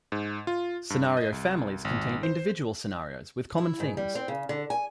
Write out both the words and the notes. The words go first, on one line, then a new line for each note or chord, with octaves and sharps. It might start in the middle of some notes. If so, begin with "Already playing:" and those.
Scenario families contain individual scenarios with common themes.
G#2
F4
G2
D#5
C2
G#1
C5
E4
G#2
G3
C4
C#3
D3
G#5